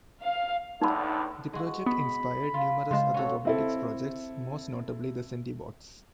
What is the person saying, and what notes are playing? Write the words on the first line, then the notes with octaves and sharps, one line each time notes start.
The project inspired numerous other robotics projects, most notably the Centibots.
F5
E2 A2 D3 D#4 B5
G#3 F#4
B3 B5
F4
C#3 G#3 F4 C5 A5
C#4 F#4 A4
C4 E4 A4